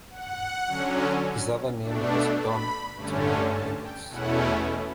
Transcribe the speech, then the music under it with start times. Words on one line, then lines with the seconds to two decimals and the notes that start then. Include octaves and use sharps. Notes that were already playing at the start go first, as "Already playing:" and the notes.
His other name was Don Antonio Domingos.
0.10 F#5
0.67 D3 F#3 C#4
1.81 B2 A3 D4
2.38 B5
2.95 G2 D3 A3 C#4
3.52 A5
3.81 G5
4.09 E2 B2 A3 C#4 E4 F#5